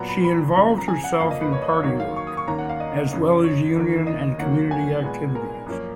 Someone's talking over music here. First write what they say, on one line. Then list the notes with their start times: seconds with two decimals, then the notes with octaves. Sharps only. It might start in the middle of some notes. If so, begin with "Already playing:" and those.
She involved herself in party work, as well as union and community activities.
Already playing: A#2 F#3 B3 A#5
0.09 B5
0.24 B5
0.56 C#2 C#3 F3 B3
0.78 A#5
0.88 G#5
1.04 F#5
1.20 F2 F3 A#3 F5
1.31 D#5
1.41 B4
1.52 C#5
1.62 D#5
1.73 C#5
1.84 D#2 D#3 F#3 A#3 C#5
2.00 F5
2.16 C#6
2.27 D#6
2.37 C#6
2.48 D#2 D#3 A#3 C#4 A#5
2.59 F#5
2.69 F5
2.80 D#5
3.12 F#2 C#3 F#3 C#4
3.44 C#5
3.75 D#2 D#3 A#3 C#4
4.07 D#5
4.39 D#2 D#3 F#3 A#3 C#4 F#5
4.71 G#5
5.03 A#2 G#3 B3
5.35 A#4
5.66 F#2 F3 A#3 C#4